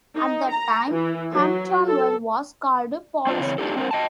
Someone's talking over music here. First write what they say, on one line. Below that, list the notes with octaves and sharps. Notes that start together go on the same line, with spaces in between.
At the time, Hamptonville was called "Pollasky".
D#4
A#5
E3
F#3
A4
C4 D4 F4
C#3 E3 C4 C#5
D4 D#4 G4 A4
C4 D4 A4 A#4 C5
D#5 G5 A5